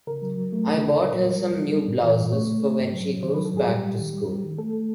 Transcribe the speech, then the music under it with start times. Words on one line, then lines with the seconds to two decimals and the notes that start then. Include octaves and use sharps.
I bought her some new blouses for when she goes back to school.
0.07 C#3 A#4
0.22 F#3
0.37 F#3
0.53 A3
0.67 C#3
0.82 D#2
0.97 A#2 A#4
1.12 A#2
1.27 G3
1.42 G3
1.58 G3
1.72 G3
1.88 G2
2.02 E3
2.17 G2
2.32 A3 C#5
2.47 A3
2.62 A3
2.78 G#2
2.92 F#3
3.07 F#3
3.23 D#3 C5
3.34 F#3 B4
3.45 A4
3.53 G#2 G#4
3.68 G3 G4
3.83 G3
3.98 D#3
4.13 G3
4.28 G3
4.43 D#3
4.58 A3 A4
4.73 A3